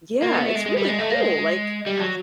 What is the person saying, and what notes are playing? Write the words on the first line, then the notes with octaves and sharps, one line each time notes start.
yeah, it's really cool, like, I
A#3
B3
A3
G#3
G#3
G3
G#3
A3
A#3
G#3
G3
F#3